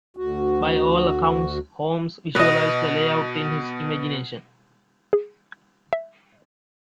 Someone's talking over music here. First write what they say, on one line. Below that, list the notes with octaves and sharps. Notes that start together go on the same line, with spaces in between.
By all accounts, Holmes visualised the layout in his imagination.
D2 F#4
B2 B3 B4 D#5
G#4
E5